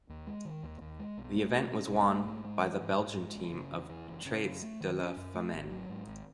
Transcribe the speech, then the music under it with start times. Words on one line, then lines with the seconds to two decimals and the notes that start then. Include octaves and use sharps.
The event was won by the Belgian team of traits de la Famenne.
0.09 D#2
0.27 G#3
0.45 D#3
0.63 D#2
0.81 D#2
0.99 G#3
1.18 B1
1.36 A3
1.54 B2
1.72 C#4
1.90 B1
2.08 A3
2.26 G#2
2.45 G#3
2.62 E3
2.81 G#2
2.99 G#2
3.18 G#3
3.35 F#1
3.53 C#3
3.72 E2
3.89 E3
4.08 F#1
4.25 C#3
4.44 F#2
4.62 A3
4.81 D#3
4.99 C#4
5.17 F#2
5.34 A3
5.52 G#1
5.70 F#3
5.89 G#2
6.07 G#1